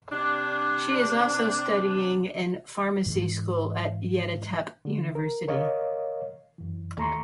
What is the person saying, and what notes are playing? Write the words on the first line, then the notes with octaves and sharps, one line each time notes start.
She is also studying in Pharmacy School at Yeditepe University.
C3 D4
G#2 E3 G#3
D3
A#4
A#4 C#5 D#5 F5
F#2 E3
D#2 A3 A#5 C6 C#6